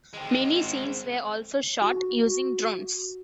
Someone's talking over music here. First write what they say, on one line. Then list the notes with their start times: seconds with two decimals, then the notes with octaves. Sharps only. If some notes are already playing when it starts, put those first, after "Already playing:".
Many scenes were also shot using drones.
0.14 G#3 C4
1.82 F#4